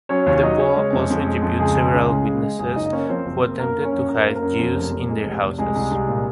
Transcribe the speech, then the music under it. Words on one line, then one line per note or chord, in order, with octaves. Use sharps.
Desbois also interviewed several witnesses who attempted to hide Jews in their houses.
F#3 C#4 C#5
D#2 C#4 C#5
F#3 D#4 D#5
C#3 C#4 C#5
G#3
F2
F2
G#3
F2
C#2 G#3 G#4
C#2
C#3
C#3
G#3
G#3
F#1 G#3 G#4
F#1 D#4 D#5
D#5
A#3 C#4 C#5
C#5
F3 C4 C5
F#1
A#3
F#2 A#3 A#4
A#3
C#4 C#5
F#2
F#2 A#4
A#3 C5
A#3 A#4
F#2
F2
F1
F2
G#3
F1
F1
C2 G#3 G#4
C2
C2
A#2